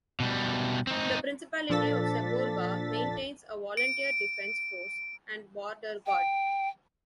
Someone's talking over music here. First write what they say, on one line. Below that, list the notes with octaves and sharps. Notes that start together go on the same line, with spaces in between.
The Principality of Seborga maintains a volunteer defence force and border guard.
B2 G3
C4 D#4
A#2 F3 D4 A4 A6 B6
D7
G5